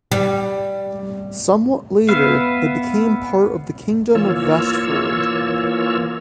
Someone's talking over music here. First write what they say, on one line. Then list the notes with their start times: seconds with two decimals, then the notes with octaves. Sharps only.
Somewhat later, it became part of the kingdom of Vestfold.
0.12 G3
2.09 B3 B4 E5 F5
4.15 E3 A#3 F4 C#5 E6